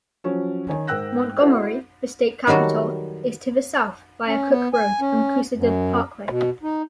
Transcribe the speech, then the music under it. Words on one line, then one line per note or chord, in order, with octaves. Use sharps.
Montgomery, the state capital, is to the south via Cook Road and Coosada Parkway.
F3 F#3 C#4
D#3 C#5 G#5
G#2 A#4 G5 E6 F#6 A#6
E4 F#4 A4 C5 D5
D#3 F#3 G3 F#4 A4
C#4
B3
G#5
C#4
F#2
B2
D#4